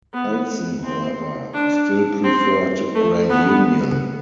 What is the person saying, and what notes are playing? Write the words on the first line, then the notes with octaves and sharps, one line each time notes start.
Nelson, however, still preferred Grand Union.
B3
C4
D4
C4
A3
B3